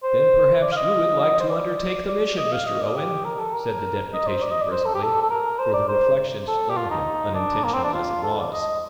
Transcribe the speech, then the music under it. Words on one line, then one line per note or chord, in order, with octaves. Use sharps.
"Then perhaps you would like to undertake the mission, Mr. Owen," said the Deputation briskly; for the reflection stung him, unintentional as it was.
C5
D5
F5
D#5
D#5
C5
D5
D5
D#5
F5
D#5
D5
G4
A#4
A4
A#4
D#5
C5
D5
D#5
D5
C5
A4
G4
A4
A4
A#4
C5
D5
C5
A4
G4
F4
D#4
D4
A#3
C4
D4
F4
A4
D5
D#5